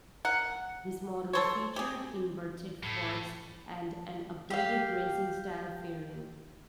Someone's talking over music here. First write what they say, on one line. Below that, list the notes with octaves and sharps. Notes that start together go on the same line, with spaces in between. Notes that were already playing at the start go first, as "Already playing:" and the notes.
This model featured inverted forks and an updated racing-style fairing.
A#4 F#5
A4 C5 C#5
G4 G#4
A2
G4 F5